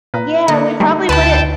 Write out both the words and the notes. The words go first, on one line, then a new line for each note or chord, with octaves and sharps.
Yeah, we probably wouldn't
A#2 B4 A#5
D3 A#3 D#5
G3 A3 A#3 D#4
D2 B4 G5 A5 B5